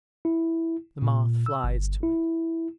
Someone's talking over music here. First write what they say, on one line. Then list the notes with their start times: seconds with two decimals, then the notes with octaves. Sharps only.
The moth flies to it.
0.25 E4
1.02 A#2
1.46 E6
1.64 G1
2.03 E4